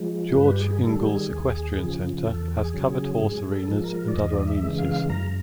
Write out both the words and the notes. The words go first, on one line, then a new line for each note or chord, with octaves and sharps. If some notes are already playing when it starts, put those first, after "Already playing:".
George Ingalls Equestrian center has covered horse arenas and other amenities.
Already playing: F3 G#3
G2 B4
G4
G#4
D#3 G3 A4
G4
G#4
D#2
C#3 F3
E2 A4
G#4
C#3 F#3
G#4
G#2 G#4
A4
F3 G#3
A#4
D5
E2 D#5
D5
D#5
E5
C#3 E3 G#3
F5
F#2 A#5